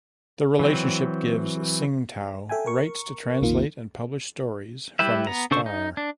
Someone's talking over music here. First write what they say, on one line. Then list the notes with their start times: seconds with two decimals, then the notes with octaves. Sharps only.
The relationship gives "Sing Tao" rights to translate and publish stories from the "Star".
0.59 E3 F#3 C4
2.49 A4 E5 G5 G#5
2.66 A#4 C#6
3.41 B1 F2 D#3 A#3 F4
4.99 G3 E4 G4 B4 E5
5.27 B3 A#5
5.51 C#3 D4 A4 C5 C#6
5.66 D#4
5.97 D4